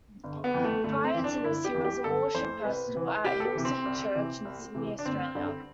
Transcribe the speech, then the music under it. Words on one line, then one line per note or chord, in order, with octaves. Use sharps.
Prior to this he was a worship pastor at Hillsong Church in Sydney, Australia.
G1
B3
F2 E3
A3
G1 A3
C4
F2 E3
D4
G1 E4
G4
F2 E3
G4
G1 A4
F2 E3 C5
C2 B4
C3 E3
C2 G4
A4
G4
C3 E3
C4
C2
C3 E3
C2
C3 E3
D4
G1 C4
G2 D3